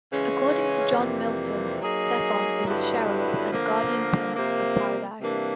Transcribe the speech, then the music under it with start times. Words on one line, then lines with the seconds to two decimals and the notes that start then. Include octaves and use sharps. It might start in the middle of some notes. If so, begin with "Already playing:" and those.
According to John Milton, Zephon is a cherub and a guardian prince of Paradise.
0.12 C#3 E3 G#3 C#4
0.97 F2 C3 E3 G3 A#3
1.81 F#3 A#3 D#4 G#4
2.66 G2 D3 F#3 B3 E4
3.51 D3 F3 A#3
4.36 C3 F3 A#3
5.21 C3 E3 G3 A#3 D4